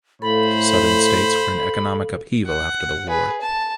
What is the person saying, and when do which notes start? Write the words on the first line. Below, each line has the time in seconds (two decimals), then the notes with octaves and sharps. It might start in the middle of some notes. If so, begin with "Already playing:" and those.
Southern states were in economic upheaval after the war.
0.22 A2 A4 C5 F5 B5
2.46 F#5
3.08 G#4 B4
3.42 A5